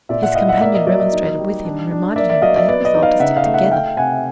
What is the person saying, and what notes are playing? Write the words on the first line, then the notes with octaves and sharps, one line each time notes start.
His companion remonstrated with him, and reminded him that they had resolved to stick together.
A#2 D5 E5
E5 F#5
E4 D#5 F5
E5 F#5
A#3 D5 E5
D#5
F#3 D5 E5
D#5
D#4
G3
D4
D4
A#3 D5 E5
D5 E5
F#3 D#5 F5
D5 E5
B3 D5
D#5
D#4
D#5 F5
C#3 E5 F#5
D#5 F5
A3
E5 F#5
A3 F5 G5
C3 F#5 G#5